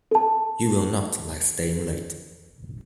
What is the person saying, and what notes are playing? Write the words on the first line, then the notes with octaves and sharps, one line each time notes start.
You will not like staying late.
A4 A5